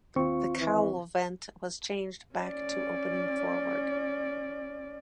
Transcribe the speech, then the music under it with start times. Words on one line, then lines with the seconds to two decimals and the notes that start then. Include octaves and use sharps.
The cowl vent was changed back to opening forward.
0.16 D#2 C4 F4 C#6
0.58 E3
2.35 C#4 D5